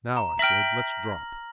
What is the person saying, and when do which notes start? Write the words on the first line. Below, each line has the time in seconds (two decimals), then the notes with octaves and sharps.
"Now," I said, "let's drop."
0.17 A#5
0.39 E5 G5 F6 A#6 F#7